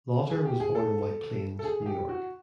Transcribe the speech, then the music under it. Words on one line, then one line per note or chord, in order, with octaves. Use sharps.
Lauter was born in White Plains, New York.
G#4
G4
G#4
A4
A4
G#4
G#4
G4
F#4